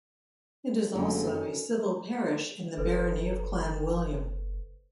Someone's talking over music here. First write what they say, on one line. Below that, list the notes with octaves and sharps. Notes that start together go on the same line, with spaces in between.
It is also a civil parish in the barony of Clanwilliam.
F#1 F#2 D3 C#4
F#2 C#4
F#1 A4 B4 C5